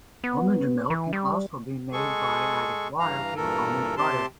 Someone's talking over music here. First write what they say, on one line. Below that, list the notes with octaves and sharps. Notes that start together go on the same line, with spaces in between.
Almond milk can also be made by adding water to almond butter.
B3
E3
G3
G#3 G#4 A4 C#6
G2 E3 F5 A#5
G2 A#2 E3 A4 A#4
C3 C4 G4 A5 C6